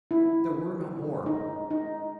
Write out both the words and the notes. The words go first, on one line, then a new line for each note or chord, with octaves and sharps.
There were no more.
E4
D#4
D#4